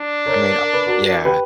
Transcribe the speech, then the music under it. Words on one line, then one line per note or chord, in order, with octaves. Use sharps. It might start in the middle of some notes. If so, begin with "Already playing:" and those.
I mean o yeah.
Already playing: D4
A#4 C#5
A#4
B4
F#4 A#4
G4 B4